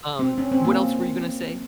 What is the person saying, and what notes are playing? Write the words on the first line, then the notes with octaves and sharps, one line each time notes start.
Um, what else were you gonna say
C4
C#4
C4
A#3